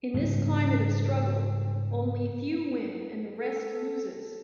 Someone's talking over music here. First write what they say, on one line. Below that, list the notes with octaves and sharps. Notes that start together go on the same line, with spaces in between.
In this climate of struggle, only few win and the rest loses.
G#2 C#3 G3
A4